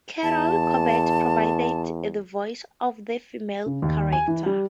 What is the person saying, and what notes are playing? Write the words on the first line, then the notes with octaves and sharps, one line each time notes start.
Carol Corbett provided the voices of the female characters.
E2 A5
C#3
D#2
G#5
E3
G3